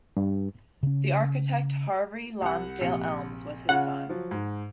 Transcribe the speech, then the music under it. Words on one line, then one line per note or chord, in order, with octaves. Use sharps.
The architect Harvey Lonsdale Elmes was his son.
G2
C#3 C#4
C2 F#5
A#1 C3 C#7
C#3 F4 F#5
F3 F#3
G#2